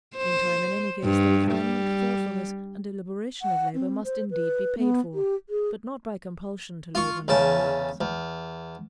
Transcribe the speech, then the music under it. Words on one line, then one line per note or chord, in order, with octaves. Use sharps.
Meantime, in any case, the refinement, thoughtfulness, and deliberation of labour must indeed be paid for, but not by compulsion to labour long hours.
C5
G2
G3
F#5
C4
C5
B4
B3
G4
G#4
F4 C#6
E2 C#3 A5
E2